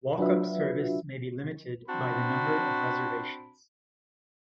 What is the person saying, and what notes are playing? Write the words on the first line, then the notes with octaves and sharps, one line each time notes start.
Walk-up service may be limited by the number of reservations.
F#3 D4 F4 F#4 B4 E5
C4 D4 F#4 A5 B5